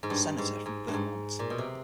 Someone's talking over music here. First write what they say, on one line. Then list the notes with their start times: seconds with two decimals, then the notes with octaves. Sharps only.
Senator from Vermont.
0.03 G#2
0.10 G2
0.38 G#2
0.66 G#2
0.88 G2
0.93 G#2
1.39 A#2
1.50 B2
1.58 C3